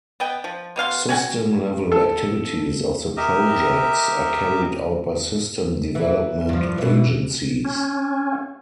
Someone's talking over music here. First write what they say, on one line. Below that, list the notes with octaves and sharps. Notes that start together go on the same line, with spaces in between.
System level activities of the projects are carried out by system development agencies.
B3 D#5 G5
F3
B2 B3 F5 C6
C#4 F#4 G5 G#5
A4
G4 A#4 D#5 E5
E3
G2 F3
B2 E3
C#4